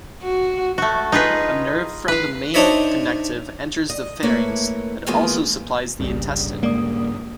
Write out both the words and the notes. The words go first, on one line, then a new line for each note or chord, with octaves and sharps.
A nerve from the main connective enters the pharynx and also supplies the intestine.
F#4
A3 F#4
D#4 F4 G#4 B4
B4 F5
D4 D#4 C5 C#5 D#5 E5
D#5
A3 A#3 E4 B4 C#5
D#3 E3 G#3 A#3 B3 F4
G1 C2 G2 C#3 G3 A#3
G#3 A#3 D5 D#6